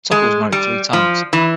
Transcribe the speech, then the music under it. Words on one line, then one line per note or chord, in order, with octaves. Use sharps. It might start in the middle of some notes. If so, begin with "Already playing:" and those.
Tucker was married three times.
G#3
G3
F3
E3